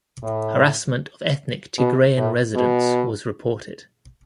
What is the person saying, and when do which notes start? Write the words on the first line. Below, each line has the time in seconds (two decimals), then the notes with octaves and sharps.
Harassment of ethnic Tigrayan residents was reported.
0.23 A2
1.78 B2
2.17 A2
2.55 B2